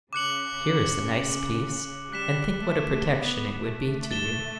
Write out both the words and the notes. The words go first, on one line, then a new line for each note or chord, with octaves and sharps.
Here is a nice piece; and think what a protection it would be to you.
C#3 D6 F#6 C#7 F#7
G3 F#6 B6 E7
A3
B3
A3
A6 E7 G7